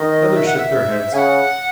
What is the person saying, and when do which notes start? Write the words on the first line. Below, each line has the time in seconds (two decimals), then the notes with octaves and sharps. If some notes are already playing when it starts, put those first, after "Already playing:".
The others shook their heads.
Already playing: D#3 D#5
0.34 E5
0.46 F#5
0.57 E5
1.13 C#3 G#5
1.17 F#5